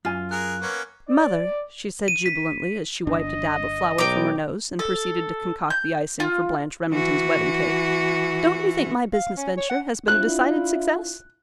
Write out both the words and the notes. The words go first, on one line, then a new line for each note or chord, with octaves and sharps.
"Mother," she said jubilantly, as she wiped a dab of flour from her nose and proceeded to concoct the icing for Blanche Remington's wedding cake, "don't you think my business venture has been a decided success?"
F#2 F4 G#5
G#4 A#4 F#6
A#3 B3 C#4
D5
D#7
B6
G1 D4 D#5
B1 G5 A#5 D6
A4
G6
F4
E3 F#4
F5
C#4
C#5
F#5
D4 E4 F4 F#6